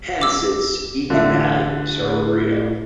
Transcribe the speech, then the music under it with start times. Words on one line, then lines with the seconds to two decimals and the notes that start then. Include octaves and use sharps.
Hence, its eigenvalues are real.
0.21 D6 E6
1.10 A1 D3 F4 E5
2.00 A2